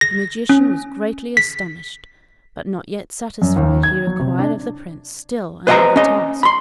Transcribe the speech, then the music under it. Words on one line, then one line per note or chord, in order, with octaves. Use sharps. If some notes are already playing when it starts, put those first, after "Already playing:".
The magician was greatly astonished; but not yet satisfied, he required of the Prince still another task.
A#6
C#4
B6
F#2
D#2
G#6
F#3
C3
D4
B4 C5 D#5 F#5 G5 A#5
C#4 D#5
B5 C6